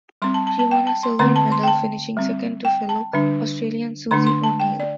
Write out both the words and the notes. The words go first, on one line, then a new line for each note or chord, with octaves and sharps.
She won a silver medal, finishing second to fellow Australian Susie O'Neill.
G3 C4 C6
A5
A5
A5
G5
A5
C6
D3 A3 C4 C6
A5
C6
G5
A5
G3 C4
G5
A5
D3 G3 D4
D3 A3 D4 C6
C6
A5
G5
D5